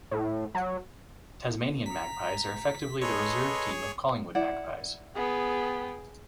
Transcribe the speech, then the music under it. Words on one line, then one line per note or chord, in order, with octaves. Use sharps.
Tasmanian Magpies are effectively the reserve team of Collingwood Magpies.
A2
F#3
A#5 B6
G#4 A4 B4 C#5 D#5 C6
E4 D5 F#5
B3 G#4 G5